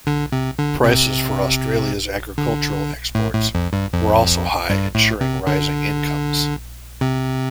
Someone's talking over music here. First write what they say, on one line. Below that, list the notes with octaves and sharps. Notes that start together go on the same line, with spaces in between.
Prices for Australia's agricultural exports were also high, ensuring rising incomes.
D3
C3
D3
C3
D3
A2
A2
F2
G2
F2
G2
A2
C3
D3
C3